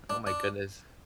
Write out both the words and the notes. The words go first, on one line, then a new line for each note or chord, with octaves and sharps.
Oh my goodness.
D4
D4